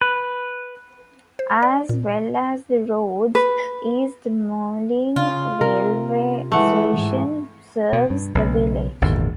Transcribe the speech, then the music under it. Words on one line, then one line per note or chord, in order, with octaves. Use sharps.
As well as the roads, East Malling railway station serves the village.
B4
C5
D5
A#2
B4
C#3 F4
C3 A#4
E3 G#3 A3 F#5
G#2 E3
B2
G2
B1 C#3
G#1 E2 A#2 D3